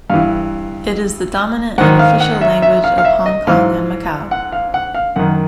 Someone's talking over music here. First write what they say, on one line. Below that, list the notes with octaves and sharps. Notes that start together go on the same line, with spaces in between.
It is the dominant and official language of Hong Kong and Macau.
G2 E3 F5
G#2 D#3 F#5
F5
F#5
E5
E5
F5
F5
E5
D#5
G#2 E3 F5
F#5
F5
F#5
F5
F#2 D#3 F#5